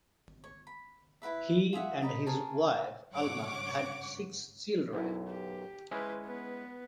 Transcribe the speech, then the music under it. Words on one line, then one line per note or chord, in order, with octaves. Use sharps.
He and his wife Alma had six children.
C#5
B5
E4 F4 B4 E5
F4 G#4 E5 F#5
D#5 A#5 B5
G#4 A#4 C#5 A5
G#1 G2 C#3 C#5 F#5 D6
B1 F#2 E4
G4
G#3 C#4 E4 B4 C5
B3 B4